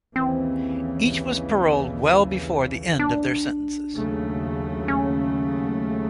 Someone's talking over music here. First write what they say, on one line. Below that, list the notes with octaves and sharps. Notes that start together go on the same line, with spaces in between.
Each was paroled well before the end of their sentences.
D#2 C#3 E3 C4
D4
D#2 C#3 F#3 A3
C#4